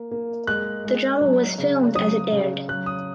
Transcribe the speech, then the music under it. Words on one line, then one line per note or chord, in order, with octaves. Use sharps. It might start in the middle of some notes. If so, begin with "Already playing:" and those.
The drama was filmed as it aired.
Already playing: A#3
A#3
G#3 F#6
G#3
F#3
C#3
F#3 D#6
C#3
F#3 F#6
D#6